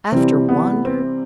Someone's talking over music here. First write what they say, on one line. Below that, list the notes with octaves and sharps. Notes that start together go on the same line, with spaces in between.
After Wander?
C3 E3 G3 C4
B3
C4